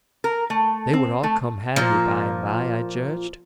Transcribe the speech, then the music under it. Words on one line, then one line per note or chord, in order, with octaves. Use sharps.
They would all come handy by and by, I judged.
A#4
A3
C4
A3
A#2 F3